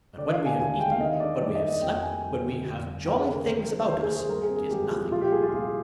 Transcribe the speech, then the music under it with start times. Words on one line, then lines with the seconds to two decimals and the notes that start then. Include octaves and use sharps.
But when we have eaten, when we have slept, when we have jolly things about us--it is nothing.
0.17 D3 D5
0.32 F5
0.39 D4
0.46 G#5
0.58 D#2 G#5
0.80 G#3 G5
0.91 F5
1.00 D#3 D#5
1.20 D4 D5
1.41 G2 D5
1.55 D#5
1.62 A#3
1.82 F2 G5
2.03 G3 G#5
2.24 G1
2.45 D3
2.65 F2
2.85 G1
3.05 G1 G5
3.19 G#4
3.27 C3
3.33 A#4
3.47 D#3 C5
3.67 D4 A#4
3.88 D#2 C5
4.02 G#4
4.08 A#3
4.16 G#4
4.29 G2 A#4
4.43 G#4
4.49 C4
4.56 G#4
4.70 G#1 G4
4.91 F3
5.11 A#2 F4
5.21 G4
5.31 C2 G#4
5.43 F4
5.52 C2 G4